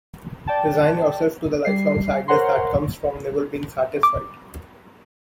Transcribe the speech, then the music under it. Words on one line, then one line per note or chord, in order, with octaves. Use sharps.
Resign yourself to the lifelong sadness that comes from never being satisfied.
D5 G5 A5
G3 C7
A#4 C5 C#5 F#5 A#5 C6
D6